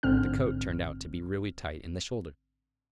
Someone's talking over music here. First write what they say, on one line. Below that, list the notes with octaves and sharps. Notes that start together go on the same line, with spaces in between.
But the coat turned out to be really tight in the shoulders.
A1 G#2 D3 C4 F6